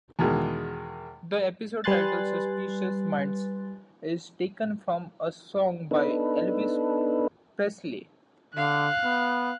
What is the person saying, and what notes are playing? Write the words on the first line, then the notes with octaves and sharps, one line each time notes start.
The episode title "Suspicious Minds" is taken from a song by Elvis Presley.
E2 B2 D#3 G#3
G3 B4 G#5 C6 F#6 A6
B3 D4 D#4 A4 B4
D3 F5 F#6
B3